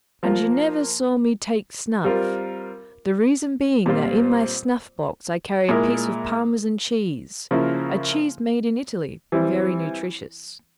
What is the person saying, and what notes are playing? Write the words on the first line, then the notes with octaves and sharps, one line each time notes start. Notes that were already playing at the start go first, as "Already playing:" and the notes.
And you never saw me take snuff, the reason being that in my snuff-box I carry a piece of Parmesan cheese--a cheese made in Italy, very nutritious.
F3 A#3 F4
G3 C4 F4 A#4
A#2 G3 C4 F4 C5
A#2 G#3 E4 A#4
C#3 F3 A#3 E4
E3 G3 C4 E4